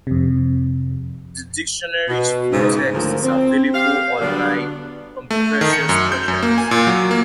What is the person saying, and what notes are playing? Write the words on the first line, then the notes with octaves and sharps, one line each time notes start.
The dictionary's full text is available on-line from the Perseus Project.
F2 C3
B2
G#2 C#3
D2 F3 A#4
C4
G4 F5
D3 F#3 G3 B3 D4
A3
D#3
C#7
F#2
G6
F#2
A#3
G#5
A#2
F#3
A#3